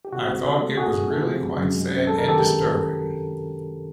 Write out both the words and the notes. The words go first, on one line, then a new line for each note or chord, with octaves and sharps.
I thought it was really quite sad and disturbing.
G4
C3 F#4
C3
C3
A3
A3 F#4 G#4
E3
A3
C3
F#2
F#2
G#3
C#4
F#2 A4
A#4
D#3
G4 A4
G#3